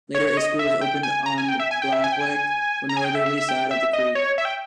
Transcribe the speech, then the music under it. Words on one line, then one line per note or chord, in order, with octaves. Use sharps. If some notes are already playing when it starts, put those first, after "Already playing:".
Later, a school was opened on the Blacklick or northerly side of the creek.
C#5
C#5
D#5
E5
G5
G#5
A#5
G#5
G5
E5
G#5
G5
E5
G#5
G5
G#5
A#5
G#5
G5
E5
E5
E5
G5
E5
D#5
C#5
E5
G5